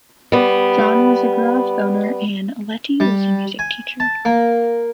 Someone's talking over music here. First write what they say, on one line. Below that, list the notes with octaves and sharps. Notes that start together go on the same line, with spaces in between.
John was a garage owner and Lettie was a music teacher.
G3 B3
G3
G#5
A5
A#3